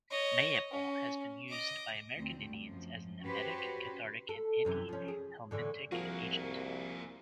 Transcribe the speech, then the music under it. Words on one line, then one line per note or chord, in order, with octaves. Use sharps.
Mayapple has been used by American Indians as an emetic, cathartic, and antihelmintic agent.
C#5 D#5
C#4
D#5 D6
D2 A3 C4
F#2 F3
C#4 F#4 G4 B4 C5
A4
F#2 C3 E3
F3 C#4
G#4
A2 D3 E3
C2 F3 A#3 F#4 G#4 A#4 F5